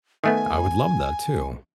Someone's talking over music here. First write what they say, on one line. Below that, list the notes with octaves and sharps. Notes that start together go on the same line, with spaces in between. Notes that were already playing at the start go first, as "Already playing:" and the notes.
I would love that, too.
D#3 A3 B3 G#5